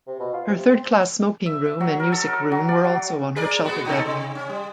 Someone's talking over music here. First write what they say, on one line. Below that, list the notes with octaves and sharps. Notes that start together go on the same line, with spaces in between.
Her third class smoking room and music room were also on her shelter deck.
C3
B2
F4
C3
C4
E5
E5
F#3
A#4
A4
A#4
F#3
D5
F#3
G#4 A#4 D5
G#3 B3 F#4
A#2 D#4 A4
C3
C#4
G3